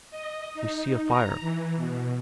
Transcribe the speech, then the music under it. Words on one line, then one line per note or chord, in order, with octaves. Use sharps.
We see a fire.
D#5
D#4
A#5
E3
B2